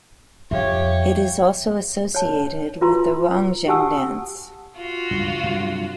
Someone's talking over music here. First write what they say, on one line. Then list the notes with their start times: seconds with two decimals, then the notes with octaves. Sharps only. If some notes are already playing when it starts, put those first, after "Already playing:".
It is also associated with the Ronggeng dance.
0.51 F2 G4 C#5 E5 F5
2.15 C#5 A5
2.81 F4 B4 A#5 C6
3.68 G4 F#5 G#5 A5 D#6 E6
4.77 F4 F#4
5.11 C#2 G2
5.44 G2 C3 F#3